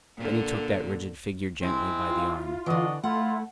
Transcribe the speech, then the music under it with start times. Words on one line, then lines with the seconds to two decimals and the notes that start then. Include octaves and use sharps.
Then he took that rigid figure gently by the arm.
0.16 A#2 D3
1.63 G#3 C4 E4
2.08 F4
2.66 D3 E3 D4 F#4 D#5
3.03 A3 E4 F4 F#5